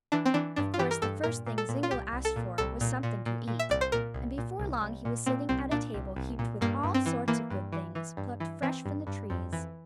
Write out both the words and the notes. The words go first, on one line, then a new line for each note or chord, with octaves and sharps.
Of course the first thing Zingle asked for was something to eat, and before long he was sitting at a table heaped with all sorts of good things, plucked fresh from the trees.
E3 D4
C4
E3 D4
G2 D4
F4
E3 G4
A#4
G2 A4
A#2 A#4
A#2
A4
A#2
F4
C2 G4
C2
A4
A#2
C2 A4
A#2
A#2
A#2
A#2
E5
C2 D5
C5
A#2 A#4
C2
A#2
C2
C2
A#2
A#2 C4
C2 C4
A#2 D4
C2
C2
A#2
G2 A#3
G2
C4
E3
E3 A#3
G2
E3
E3
G2
E3
E3 C4
G2
G2
F2
E3